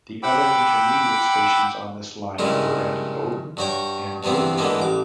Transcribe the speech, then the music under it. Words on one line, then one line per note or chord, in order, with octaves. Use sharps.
The other intermediate stations on this line were at Bowden and Woodville.
F#5 G5 B5 D6 E6
G2 A#2 C#3 G#3 E4
G2 F#4 C#5 G5
G2 C3 E3 B3 C4
D3 E3 G#3 A#3 B3
A1 D6